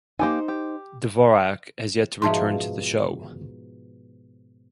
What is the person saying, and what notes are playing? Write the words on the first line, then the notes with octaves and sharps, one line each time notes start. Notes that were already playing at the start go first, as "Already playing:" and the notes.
Dvorak has yet to return to the show.
A#3 D#4 G4 C5 G#5
G4
G#2 B2 F3 E5 A5 C6